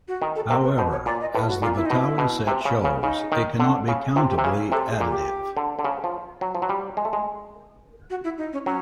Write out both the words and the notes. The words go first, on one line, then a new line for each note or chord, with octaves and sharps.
However, as the Vitali set shows, it cannot be countably additive.
F#4
D#3
A4
C3 A#4
B4
B2 C5
C#5
A#2 D5
D#5
A2 B4
F#4
A#2 F4
E4
B2 D#4
E4
B2
C3
C#3
C#3
C#3 D#4
D#3
D3
C#3
C3 F4
G4
C3
C#3 G#4
C3 A4
G#4
A#2
G4
D3
D3
C#3
F3
F#3
F3
F#3
G3
G#3
A3
G#3
F#4
E4
D#4
C#4
F#3 C#4